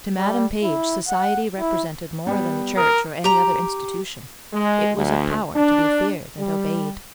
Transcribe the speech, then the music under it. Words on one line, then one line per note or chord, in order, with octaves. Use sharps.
To Madam Page society represented more than the church or any other institution. It was a power to be feared and obeyed.
G3
E4
F#5
E4
G3 B3
A#4 D#6 F6
G4 A#5
G#3
D2
D4
G3